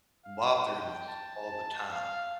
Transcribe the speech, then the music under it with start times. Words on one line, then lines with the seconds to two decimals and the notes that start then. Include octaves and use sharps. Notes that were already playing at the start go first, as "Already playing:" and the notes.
bothering us all the time
0.25 F5
0.66 G5
1.08 A5
1.91 F5